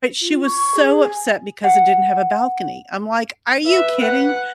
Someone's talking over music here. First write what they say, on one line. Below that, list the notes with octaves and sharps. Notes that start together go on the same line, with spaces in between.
but she was so upset because it didn't have a balcony. I'm like, "Are you kidding?"
F4
C#6
G#4
G#5
F#5
B4 E5
F#5